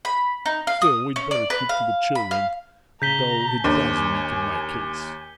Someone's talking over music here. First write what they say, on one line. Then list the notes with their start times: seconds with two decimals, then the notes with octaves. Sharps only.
Still we'd better keep to the children, though it does weaken my case.
0.05 B5
0.46 D#4
0.67 F5
0.82 D#6
1.16 C#4
1.31 D5
1.50 B4
1.69 F5
2.15 B5
2.31 F5
3.02 C#3 A#5 G6 B6 G7
3.64 D#2 D4 C5 G#5